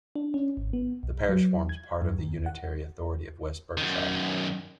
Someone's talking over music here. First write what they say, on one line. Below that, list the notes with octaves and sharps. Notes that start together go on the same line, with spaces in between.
The parish forms part of the unitary authority of West Berkshire.
D4
C#4
G#1
B3
B1
F#3
G#6
F#2
D#2
F#5
F#2 D#3